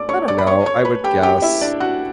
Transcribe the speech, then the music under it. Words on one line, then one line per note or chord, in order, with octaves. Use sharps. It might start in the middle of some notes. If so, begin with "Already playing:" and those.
I don't know, I would guess
Already playing: D5 D6
C#5 C#6
D5 D6
B5
C#5 C#6
C#5 C#6
B4 B5
G4 G5
G4 G5
E4 E5
D4 D5
F#4 F#5